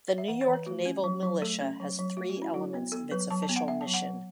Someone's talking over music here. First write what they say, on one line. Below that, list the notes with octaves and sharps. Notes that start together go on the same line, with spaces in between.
The New York Naval Militia has three elements of its official mission.
C#5
E5
E3 F#5
C#5
E3
B4
A3 F#4
C#4
F#3
F#3
A3 A4
C#4
F#3
F#3
A3 F#4
F#4
C#4
E4
F#3 F#4
B3
B3 A4
F#3 B4
F#3 A5
A5
B3
F#5
B3 E5
A5
F#3
F#5
F#3